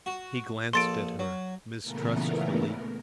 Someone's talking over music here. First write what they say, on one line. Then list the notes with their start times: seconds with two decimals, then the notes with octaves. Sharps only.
He glanced at her mistrustfully.
0.06 F#4
0.73 A#1 A4 C6 D#6 A6 D7
1.19 F#3
1.82 A#2 C#3 E3 A3 B3 A#4